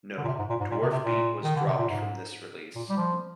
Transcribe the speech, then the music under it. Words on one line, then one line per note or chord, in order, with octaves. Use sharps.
Note: "Dwarfbeat" was dropped from this release.
D3
A#2
C3
G#2
A#2
G#2
A#2
C3
C3
A#2
D#3
D3
C3
A#2
G#2
A#2
G3
F3